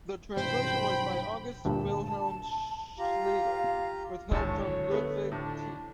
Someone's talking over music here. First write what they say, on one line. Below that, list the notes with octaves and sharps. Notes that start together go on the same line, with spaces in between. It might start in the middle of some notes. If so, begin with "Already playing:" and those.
The translation was by August Wilhelm Schlegel, with help from Ludwig Tieck.
B1 G2 C5 G5 B5
D2 G2 A#2 A5
F4 G4 F5 A#5
G#1 A2 D3 C#5 A5
A3 B3
F2 A2 D4